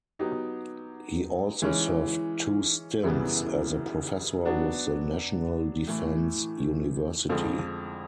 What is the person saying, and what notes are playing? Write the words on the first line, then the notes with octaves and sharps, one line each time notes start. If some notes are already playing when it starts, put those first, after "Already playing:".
He also served two stints as a professor with the National Defense University.
F#3 B3 D#4 G4
E3 G#3 C#4
F#2 C#3 E3 G3 B3
F#3 B3 D4 F#4
A2 E3 A3
F2 D3 F3 G#3